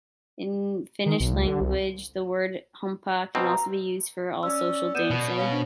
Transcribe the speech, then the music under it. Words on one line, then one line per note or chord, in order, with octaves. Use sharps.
In Finnish language, the word humppa can also be used for all social dancing.
D#3
B1
C#2
D3
C2
B2 C4 A#5
C#4 D5 E6
F#2 B3 G6 D#7 E7
B2 F#5
C#4 C#5 F5
D4 C5